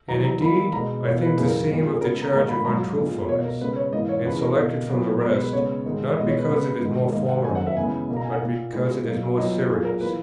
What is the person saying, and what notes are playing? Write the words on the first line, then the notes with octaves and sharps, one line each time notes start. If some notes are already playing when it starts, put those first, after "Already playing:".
And indeed I think the same of the charge of Untruthfulness, and select it from the rest, not because it is more formidable but because it is more serious.
E2 D#3 F#3 B3 A#5
A#5
E2 D#3 A#3 B5
B2 G#3 B3 A#5
E2 B2 A#3 C#5
B4
F#2 C#3 E3 A#3 G#4
A#4
A#2 G#3 B3 A#4
G#4
C#3 G#3 B3 A#4
A#5
G#2 D#3 A#3 A#5
B5
G#2 F#3 A#3 A#5
A#2 G#3 B3
B2 A#3 C#5
A#4
C#3 G#3 B3 B4
C#5
G#2 E3 A#3 D#5
C#5
E2 C#3 G#3 B3 B4
A#4
B2 A#3 A#4
A#2 F#3 B3
B2 G#3 B3 A#4
B4
C#3 G#3 B3 C#5
G#2 D#3 G#3
B2 G#3 B3 D#5
C#5
B4
C#3 G#3 B3 B4
G#2 D#3 G#3
G#2 D#3 A#3 D#5
F#5
F#2 D#3 F#3 A#3 G#5
F#5
E5
C#3 E3 G#3 B3 G#5
B2 A#3
A#5
G#5
F#5
A#2 A#3
A#2 G#3 B3
B2 F#3 A#3
A#2 F#3 B3 D#5
A#2 F#3 A#3 G#4
A#4
E3 A#3 B4